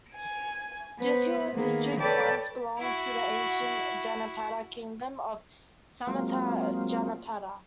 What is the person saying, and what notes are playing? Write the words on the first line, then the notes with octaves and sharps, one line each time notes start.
Jessore district once belonged to the ancient Janapada kingdom of Samatat Janapada.
G#5
B3 B4 C5
D#3 A#3 B3 G#4
A4 B4 C#5 D5 G5 A5
E4 F#4
F#3 G#3 A#3 C4 F4